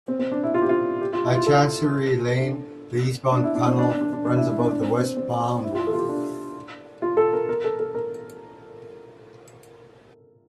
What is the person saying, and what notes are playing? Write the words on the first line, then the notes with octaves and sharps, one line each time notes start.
At Chancery Lane, the eastbound tunnel runs above the westbound one.
C4
C4
D4
E4
F4
G4
F4
G4
F4
E4
F4
A4
D4
D4
E4
D4
C4
D4
D4
D4
D4
D4
E4
E4
D4
D4
C4
C4
C4
E4
F4
A4
F4
G4
D4
F4
A4
A#4
A#4
A4
A4
A#4